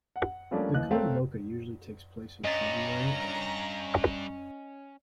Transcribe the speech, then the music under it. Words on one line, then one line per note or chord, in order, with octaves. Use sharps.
The Kuomboka usually takes place in February or March.
F#5
F3 G3 A3 A#3 C#4 D4
D#2 E3 D#5 F#6
A3 C4 A#4 C#5 F5 G5
G2 C#4 D#5 A#5 A6